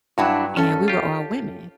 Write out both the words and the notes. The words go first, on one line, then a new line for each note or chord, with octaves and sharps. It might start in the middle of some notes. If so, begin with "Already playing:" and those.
and we were all women,
G2 F#3 D4 E4 F#4
C#4 A4
F4 G4